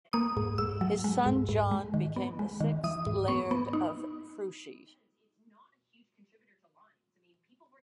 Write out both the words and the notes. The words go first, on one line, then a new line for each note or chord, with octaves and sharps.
His son John became the sixth laird of Freuchie.
A#3 D#6
G#2
G#2 E6
F#3
G#3
G#2
G#2
G#3
D#3
B3
G#3
D#3
E3 D#6
G#2
B3 C#6
B3
D#4